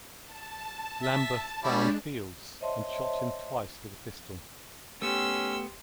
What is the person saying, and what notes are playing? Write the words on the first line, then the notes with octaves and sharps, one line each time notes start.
Lamberth found Fields and shot him twice with a pistol.
A5
E5
G3 G#3 C#4 D4 E4
C5 C#5 D#5 E5 A5 C6
A3 B3 C#4 G4 G5 C6 E6